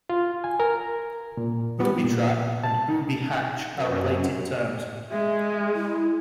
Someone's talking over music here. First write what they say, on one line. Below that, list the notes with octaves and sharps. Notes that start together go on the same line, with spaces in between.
Booby trap and "booby hatch" are related terms.
F4
G#5
A#4
A#2
B3
A#2
A5
F#2
G#3 E5
E4